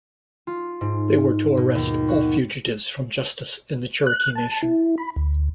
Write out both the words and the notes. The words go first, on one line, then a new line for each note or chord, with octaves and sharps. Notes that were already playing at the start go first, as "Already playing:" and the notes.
They were to arrest all fugitives from justice in the Cherokee Nation.
F4
G#2
B2
D#2
F#4
F#6
A5
E4
B5
D2